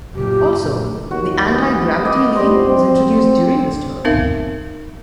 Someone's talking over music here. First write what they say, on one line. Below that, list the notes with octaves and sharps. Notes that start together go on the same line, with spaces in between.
Also, the anti-gravity lean was introduced during this tour.
F#1 A#2 G4
D#2 F#4
B3
D#5 D6
G3 C5 D5
C4
B3 C4 D#4 A#4 E5 F5